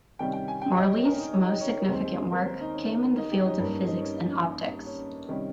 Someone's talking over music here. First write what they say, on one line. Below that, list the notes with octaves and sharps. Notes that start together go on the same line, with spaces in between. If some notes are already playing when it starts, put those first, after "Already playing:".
Morley's most-significant work came in the field of physics and optics.
C3 D#3 G3 C#4 G5
G5
G#5
G5
D#5
C#5
A#4
D#4
C#5
D#5
C#5
C#5
D#2 D#3 G#3 C4 C5
A#4
C5
D#4
C#4
D#4
G4
D#4
G2 G3 A#3 C#4 D#4
C#4
D#4
C#4
C#4
C3 D#3 G3 C#4